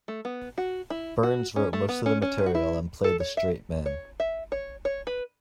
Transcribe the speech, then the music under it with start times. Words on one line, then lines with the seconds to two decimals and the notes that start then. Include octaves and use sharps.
Burns wrote most of the material and played the straight man.
0.08 A3
0.25 B3
0.58 F#4
0.90 E4
1.23 F#4
1.56 C#4
1.73 A3
1.89 B3
2.06 C#4
2.22 C#4
2.46 F#4
2.55 E4
3.04 A4
3.20 C#5
3.37 E5
3.86 C#5
4.20 E5
4.52 C#5
4.85 C#5
5.07 B4